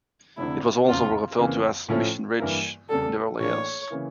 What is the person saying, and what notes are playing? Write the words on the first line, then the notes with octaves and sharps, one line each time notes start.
It was also referred to as "Mission Ridge" in the early years.
F1 F2 D3 E4
F1 E2 C#3 F4
F2 C#3 E3 A#3
A2 F3 C#4 E4 A4
G2 E3 A#3 E4 A#4
E2 C#3 G3 A4
A2 E3 A#3 D4 C#5
C#3 E3 A#3 E4